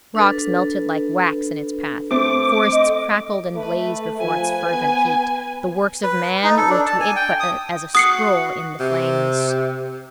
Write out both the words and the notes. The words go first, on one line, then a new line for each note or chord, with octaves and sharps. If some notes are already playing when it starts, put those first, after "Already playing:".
Rocks melted like wax in its path; forests crackled and blazed before its fervent heat; the works of man were to it but as a scroll in the flames.
D4 A4 B4
A3 C4 D6
D#5
A3 B4
F3 B4 G#5
B3
B4
D#4
A4
D4
A5
G#5
G5
D#6
F#4 D#6 C7 C#7
C3